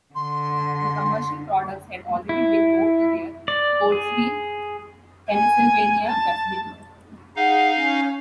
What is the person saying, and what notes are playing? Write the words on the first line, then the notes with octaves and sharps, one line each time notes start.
The commercial products had already been moved to their Coatesville, Pennsylvania facility.
D3 C6
E4
D5
G#4
G#5
A5
D#4 G#4 F5 F#5
C#4